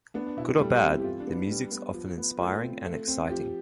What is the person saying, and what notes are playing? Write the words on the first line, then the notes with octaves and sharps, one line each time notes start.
Good or bad, the music's often inspiring and exciting.
B3 D4
D4
B2 E4
G3 A4
G4
C4
E4
G4
E3 F4
D4
B3
D4
G3
B3
F3
B3
A3 F4
C4
A3
C4
F3 G4